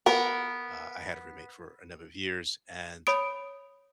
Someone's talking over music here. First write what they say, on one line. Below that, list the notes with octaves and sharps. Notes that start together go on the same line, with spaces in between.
uh, I had a roommate for a number of years, and
B3 A#4
C#5 B5 D#6 D7